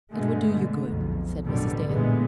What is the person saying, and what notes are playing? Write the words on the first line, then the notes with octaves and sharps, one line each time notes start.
"It would do you good," said Mrs. Dale.
G2 B2 D3 G#3 A3
D3
B1 F2
A1 F#2 B2 D3 G3
A#2 D3 E3 G#3 B3